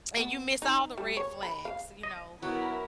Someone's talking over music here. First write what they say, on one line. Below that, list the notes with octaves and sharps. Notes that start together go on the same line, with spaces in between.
and you miss all the red flags, you know?
B3
D#4
G3
C#5
B5
F5
D#5
F#3 B3 E4 A#4